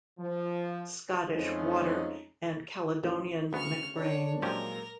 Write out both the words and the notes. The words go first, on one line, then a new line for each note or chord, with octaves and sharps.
Scottish Water and Caledonian MacBrayne.
F3
F2 F3 G#3 A3 C#4 D#4
A1
D2 C#3 B3 C#6 F6
D4 C#5
A#2 F3 F#3 G#3 C#4 G4 A#4